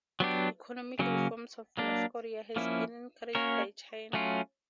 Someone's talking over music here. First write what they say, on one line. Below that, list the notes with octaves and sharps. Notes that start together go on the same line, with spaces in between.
Economic reforms in North Korea has been encouraged by China.
F#3 B3 D4 G4
C#3 F#3 A#3 C#4
F#3 A#3 D4
F3 A#3 C#4 E4
A#3 C#4 F#4 A#4 C#5
F#3 A3 C#4 F4